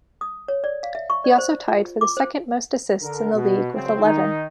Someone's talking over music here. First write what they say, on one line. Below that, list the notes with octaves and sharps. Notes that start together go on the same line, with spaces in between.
He also tied for the second-most assists in the league with eleven.
D#6
C#5
D5
F5
E5
C#6
D5
C5
F4
D6
C5
D3 A#4
B2
C#3 F#3 C4
D#3 D#4